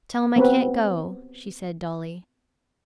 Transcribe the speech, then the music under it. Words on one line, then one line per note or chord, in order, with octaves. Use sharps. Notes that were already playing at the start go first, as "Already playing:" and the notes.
"Tell him I can't go," she said dully.
B3 C4 B4